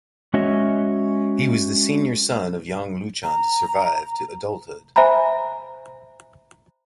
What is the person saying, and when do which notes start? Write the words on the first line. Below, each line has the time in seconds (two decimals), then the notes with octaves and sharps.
He was the senior son of Yang Luchan to survive to adulthood.
0.34 G#3 C#4 F#4 C#5 D#5 E5
3.24 A#5
4.96 C5 E5 G#5 A#5 B5